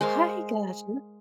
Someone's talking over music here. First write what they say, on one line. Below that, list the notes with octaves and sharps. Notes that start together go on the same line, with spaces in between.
I got you.
G#3 A#4 C5 F5